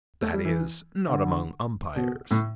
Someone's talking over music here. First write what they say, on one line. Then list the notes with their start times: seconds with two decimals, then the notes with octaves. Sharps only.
That is, not among umpires.
0.21 A3
0.33 G3
0.45 E3
1.08 D3
1.96 B2
2.31 A2